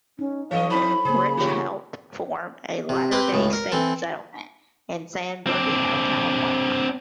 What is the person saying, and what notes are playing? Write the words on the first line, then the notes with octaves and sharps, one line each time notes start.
Rich helped form a Latter-day Saint settlement in San Bernardino, California.
C#4 D#4
E3 F#3 B3 A4 C#5 D#5 F5
F3 C4 E4 C5 B5
C#3 A#3 G#4 C5
D3 F4 G4 C#5
C3
C4 G4 B4 C5
C#2 A2
A#4
E3 C4 A4
C4 D4